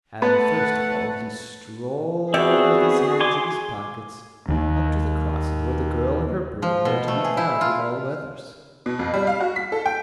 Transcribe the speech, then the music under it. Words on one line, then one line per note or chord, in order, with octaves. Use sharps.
And first of all he strolled with his hands in his pockets up to the crossing, where the girl and her broom were to be found in all weathers.
A3 B3 B4 F#5 A5
B3 C4 F#4 G#4 C#5 D5 E5
G#5 C6 D6
D#2 D#3
F3
B2
A3
G#4
E4
F4
B2
F2
G3
F5
F#4
B6
A4
G5